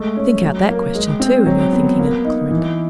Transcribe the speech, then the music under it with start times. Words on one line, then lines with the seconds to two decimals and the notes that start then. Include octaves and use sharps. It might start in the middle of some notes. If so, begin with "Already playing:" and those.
"Think out that question, too, in your thinking out, Clorinda."
Already playing: G#3 A3
0.17 C#4
0.42 F#3
0.68 A#3
0.94 G#3
1.20 C4
1.46 F#3
1.72 B3
1.99 A#3
2.25 D#4
2.50 E3